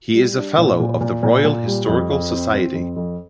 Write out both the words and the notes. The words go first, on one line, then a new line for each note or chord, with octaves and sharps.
He is a Fellow of the Royal Historical Society.
G3
D4
A#2
A#2
A#2
A#2
A#2
G3
F2
F2
C4
C4
F2
F2